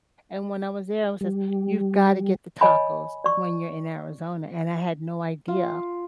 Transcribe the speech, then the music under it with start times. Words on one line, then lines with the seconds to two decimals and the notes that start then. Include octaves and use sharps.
and when I was there, it was just, "You've got to get the tacos when you're in Arizona," and I had no idea
1.21 G3
2.61 C#5 D#5 G#5 B5
3.24 D5 C#6
5.48 F4